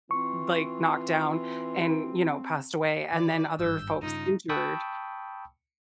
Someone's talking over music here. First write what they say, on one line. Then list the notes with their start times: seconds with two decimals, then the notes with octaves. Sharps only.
like, knocked down, and, you know, passed away, and then other folks injured,
0.11 E3 C4 F4 C#6
3.12 D#3 D5 D6
3.59 G#1 G2 E6 G6
4.02 G2 C#3 D#4 F4
4.49 G5 A5 B5 C#6 D#6 E6